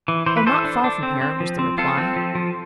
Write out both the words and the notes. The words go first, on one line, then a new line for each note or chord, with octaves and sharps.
'Oh, not far from here,' was the reply.
E3
E3 C5
B4
E3 A4 C5
D4
D4
C4
C4
F3
C4
C4 F4 A4
C4
F3
F3